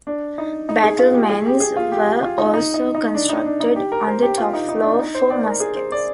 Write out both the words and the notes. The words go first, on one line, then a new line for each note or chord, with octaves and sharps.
Battlements were also constructed on the top floor for muskets.
D4
D#4
D#4
G#4
F4
G4
G#4
G4
G#4
F4
G4
G4
F4
D#4
D#4
D#4
D#4
D4
D#4
D4
D#4
G4
A#4
C5
G4
F4
D#4
D#4
D4
D#4
C5
D5
A#4
G#4
C5
D5